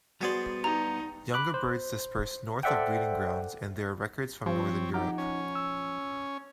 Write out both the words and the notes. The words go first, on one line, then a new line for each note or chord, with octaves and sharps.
Younger birds disperse north of breeding grounds and there are records from Northern Europe.
G3 B3 F#4 G#4 C5 D5
G2 D#4 A#5
B5 D6 F#6
C5
A4 C5 D5 E5 F#5 G5
F3 C4 G4 C#5
D#4 G4 F#5 A#5
C#4 C#5
E6